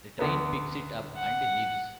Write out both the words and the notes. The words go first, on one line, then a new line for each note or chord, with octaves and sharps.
The train picks it up and leaves.
D2 B3 B4
F#5